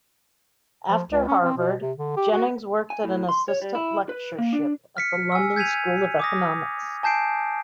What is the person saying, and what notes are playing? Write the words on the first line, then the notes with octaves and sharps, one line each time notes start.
After Harvard, Jennings worked at an assistant lectureship at the London School of Economics.
F3
C#2
C#4
C4
B2
C3
D3
G4
F#4
G#5
A2
C6
C#5
G3
E4
B4
A#3
D4
F6 B6 C#7
G#5 E6
G6 G#6 B6 D#7 F7
D6 D#6 A#6
G#5 A5 G6 C7 D7